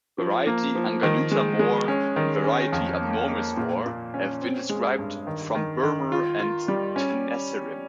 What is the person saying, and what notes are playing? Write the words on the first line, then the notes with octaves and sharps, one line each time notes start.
Variety "angulata" Moore, and variety "abnormis" Moore, have been described from Burma and Tenasserim.
F3
A#3
F3
D#3
G#3
G#3
C#4
D#3
C#4
F2
A#3
A#3
A#2
A#2
C#4
C4
G#3
G2
D#3
D#3
D#3
F4
F4
G3
C#4